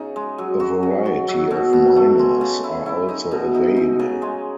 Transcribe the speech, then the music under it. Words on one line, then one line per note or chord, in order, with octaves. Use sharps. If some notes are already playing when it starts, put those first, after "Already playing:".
A variety of minors are also available.
Already playing: C#3 D#4
G#3
F#3
F#4
C#3
F#4
F#3
B2
B2
A3
G#3
C#3
E4
E4
D#4
B2
D#4
D#4
C#3
G#3